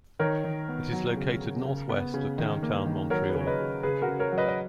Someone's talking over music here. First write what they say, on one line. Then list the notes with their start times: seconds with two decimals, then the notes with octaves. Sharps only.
It is located northwest of downtown Montreal.
0.19 D#3 A#4 C#5
0.44 D#3
0.68 B3
0.92 F#3
1.17 C#3
1.41 C#3
1.65 C#3
1.89 B3
2.14 C#3
2.38 D#3
2.63 A#3
2.86 D#3
3.10 F#3 A#4 C#5
3.29 G#4 B4
3.35 C#3
3.41 C#5
3.47 B4 D#5
3.59 C#3
3.83 C#3 G#4 B4
4.02 F#4 A#4
4.08 C#3
4.19 A#4 C#5
4.32 F#3
4.38 B4 D#5
4.49 D#5